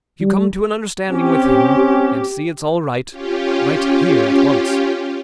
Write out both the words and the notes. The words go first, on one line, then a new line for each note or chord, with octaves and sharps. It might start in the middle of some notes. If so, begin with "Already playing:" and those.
If you come to an understanding with him, and see it's all right, write here at once.
G3
C4 C#4 G4
C#4 F4 G4